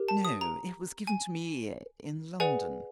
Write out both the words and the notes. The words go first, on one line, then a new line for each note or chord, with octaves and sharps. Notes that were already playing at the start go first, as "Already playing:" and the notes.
"No, it was given to me in London."
Already playing: G4 A#4
A5
D#6
A#5
G#5
G#4 B4 D5 F#5 G#5